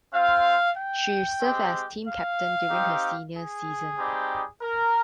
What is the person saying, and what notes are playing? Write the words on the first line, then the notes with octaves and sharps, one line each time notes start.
She served as team captain during her senior season.
C4 F4 F5
G5
G#3 C4 G4
F5
C4 D#4 G4
G#4
G3 C4 D#4 G4
A#4